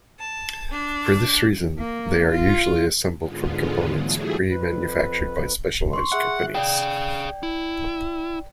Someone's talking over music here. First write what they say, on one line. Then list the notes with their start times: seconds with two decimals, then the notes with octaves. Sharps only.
For this reason they are usually assembled from components pre manufactured by specialized companies.
0.18 A5
0.70 D4
1.79 A#3
2.32 F4
3.18 G#2 D3 G#3 B3 F4
3.87 E3 F#3 G3 A3 G#4
4.51 F2 B4
5.93 C6 C#6
6.12 G#4 E5 F#5 F#6
6.55 G#4 D5 F5 G5
7.43 E4